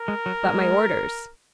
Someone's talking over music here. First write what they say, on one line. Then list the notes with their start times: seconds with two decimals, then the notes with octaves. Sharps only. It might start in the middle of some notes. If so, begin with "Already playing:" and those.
"But my orders."
Already playing: A#4
0.08 G#3
0.26 F#3
0.43 G#3